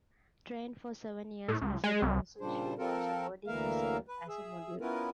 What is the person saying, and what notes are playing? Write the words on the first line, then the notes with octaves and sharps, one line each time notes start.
Trained for seven years as a dancer, she was supporting herself as a model.
A2
C#2
G#3
C2
A#2 C#3 G3 D4 C5
F3 C4 F4 A4 A#4
D2 E3 A#3 A#4 E5 F5
B4
G#4 E5
B3 C#4 E4 F4 A#4 B4